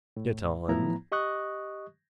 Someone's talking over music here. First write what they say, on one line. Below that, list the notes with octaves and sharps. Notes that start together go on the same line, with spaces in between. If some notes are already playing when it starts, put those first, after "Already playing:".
Get on.
A2
A2 F3 B3 E4 A#5
G4 D#5 C#6 D#6 F#6